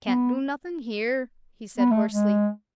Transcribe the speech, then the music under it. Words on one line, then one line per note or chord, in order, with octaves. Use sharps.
"Can't do nothin' here," he said hoarsely.
B3
B3
A3
G#3